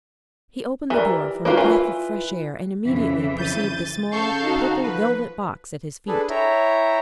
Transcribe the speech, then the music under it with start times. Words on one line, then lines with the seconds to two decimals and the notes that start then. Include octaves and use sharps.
He opened the door for a breath of fresh air, and immediately perceived the small, purple velvet box at his feet.
0.90 E3 G4 A#4 D5
1.45 A#3 F4 F#4 B4
1.57 E3 F4
2.86 F2 C#3 E3
3.38 G6 A6 D#7
3.74 A6
4.11 C#3 A4 F5 C#6 G6 C7
4.43 D#4 F#4
4.83 F3 B4
6.08 D4 G#4 A4 B4
6.30 E4 C#5 E5 G5 A#5